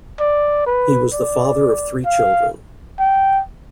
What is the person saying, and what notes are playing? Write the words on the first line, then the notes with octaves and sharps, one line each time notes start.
He was the father of three children.
D5
B4
D5
F5
G5